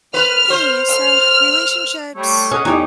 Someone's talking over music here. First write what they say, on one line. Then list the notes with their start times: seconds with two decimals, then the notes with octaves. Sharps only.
Hey, uh, so relationships
0.14 B4 F6
0.50 C5
0.89 F6
2.15 G3 A3 C#5
2.51 C#4 G#4 D#5 F#5
2.65 E2 D#4 G4 G#4 C#5